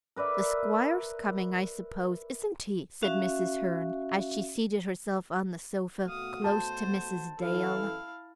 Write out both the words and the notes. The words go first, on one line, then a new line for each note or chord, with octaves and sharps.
"The squire's coming, I suppose, isn't he?" said Mrs. Hearn, as she seated herself on the sofa close to Mrs. Dale.
A#4 B4 D5 E5
C#4 F#4 E5 F5
B2 A3 F#4 F5 D#6
C5 A5
F#2 E3 E4 A4 F5